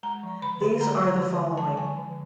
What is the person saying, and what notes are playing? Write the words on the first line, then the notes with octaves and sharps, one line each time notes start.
These are the following.
G#3 A#5
F3
D3 B5
D3
G#3 A#5
F3
D3
D3
G#3 A5
F3 G#5
D3